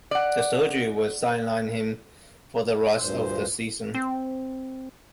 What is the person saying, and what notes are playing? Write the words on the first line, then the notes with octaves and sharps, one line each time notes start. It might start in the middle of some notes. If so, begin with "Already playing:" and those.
The surgery would sideline him for the rest of the season.
D5 F#5
D2 G2 A#2 C5
C4